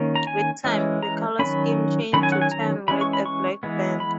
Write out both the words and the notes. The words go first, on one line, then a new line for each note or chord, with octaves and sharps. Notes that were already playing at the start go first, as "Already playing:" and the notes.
With time, the colour scheme changed to tan with a black band.
Already playing: D#3 A#3 C#4
A#5
G#5
E3 G#3 C#4
A#5
D#3 F#3 C#4 B5
D#3 F#3 C#4 B5
G#5
F#5
G#5
A#5
E3 G#3 C#4 B5
C#6
B5
C#6
E3 G#3 B3
B5